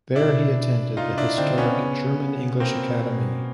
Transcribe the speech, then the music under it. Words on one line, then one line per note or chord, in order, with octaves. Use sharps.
There he attended the historic German-English Academy.
B2 D4 E4
C3 D#4 F4
D4 E4
D3 C4 D4
B3 C#4
C#3
C3 A#3 C4
B2